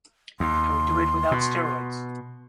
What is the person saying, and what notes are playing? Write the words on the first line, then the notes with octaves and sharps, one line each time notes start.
And we do it without steroids!
D#2 C6
B2